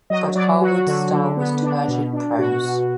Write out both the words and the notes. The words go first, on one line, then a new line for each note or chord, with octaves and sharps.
But Harwood's style was turgid prose.
F#3 D#5
F#3 D5
F#3 F#4
D3
D3
B3
D4
B2
D4
B2 F#4
B2